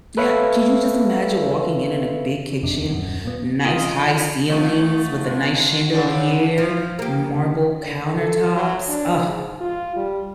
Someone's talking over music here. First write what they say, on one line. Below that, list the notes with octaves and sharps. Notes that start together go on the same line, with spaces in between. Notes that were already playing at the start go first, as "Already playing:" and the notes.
Yeah. Could you just imagine walking in in a big kitchen, nice high ceilings with a nice chandelier, marble countertops? Ugh.
A4 B4 C#5 E5 F5
F2 C3 D4
D#2
D#1 F#2
A#2 B3
D#3 F4 A#4 D#5
B2 D#3 F3 A3
G2 G#3
C#3 B3 D4 E4 C5 D5
F3
A#3 G4
D3
A4
F#3
D4
G#2
F4
G3